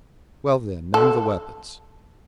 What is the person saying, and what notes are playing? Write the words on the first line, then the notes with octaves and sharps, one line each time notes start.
"Well, then, name the weapons."
A4